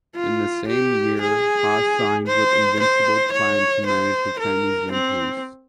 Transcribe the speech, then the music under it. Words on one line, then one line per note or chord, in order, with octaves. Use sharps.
In the same year, Ha signed with Invincible Plan to manage her Chinese ventures.
F4
G4
G#4
C5
C5
C#5
C5
A#4
C4